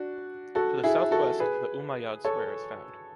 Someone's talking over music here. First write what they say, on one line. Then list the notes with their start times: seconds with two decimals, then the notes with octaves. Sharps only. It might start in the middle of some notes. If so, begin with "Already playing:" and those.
To the southwest, the Umayyad Square is found.
Already playing: D4 F#4
0.55 F#4 A4
0.84 E4 G#4
1.11 F#4 A4
1.40 G#4 B4
2.25 A4 C#5